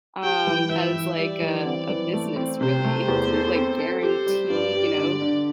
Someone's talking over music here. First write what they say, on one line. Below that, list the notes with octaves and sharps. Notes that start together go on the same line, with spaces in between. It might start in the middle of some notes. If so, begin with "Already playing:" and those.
Um, as, like, a, a business really to, like, guarantee, you know,
G4 G5
E3
E3 E5
E3
G3 D5
E3
C4
E3
A3
C4
C3 C5
A3
E2
A4
C4
A4
G4 C5
G3
G2 D5
G4
D3
D3